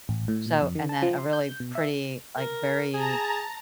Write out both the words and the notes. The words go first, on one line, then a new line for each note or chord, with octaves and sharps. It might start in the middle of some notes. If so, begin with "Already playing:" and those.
So and then a really pretty, like, very
A1
A2
A#2
F2
D#3
A5
F3
C6
G6
B2
E5
A#4
G#4 A5 A#5